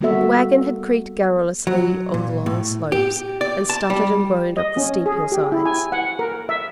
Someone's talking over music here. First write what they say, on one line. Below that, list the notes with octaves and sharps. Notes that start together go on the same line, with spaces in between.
The wagon had creaked garrulously on the long slopes, and stuttered and groaned up the steep hill sides.
G3 A#3 B3 F#4 A4 E5
F#3
A#2
A2
G4
D5
A5
G3
D#5
C#4
G#4
G4
E4
G#5
F#5
A#4
E5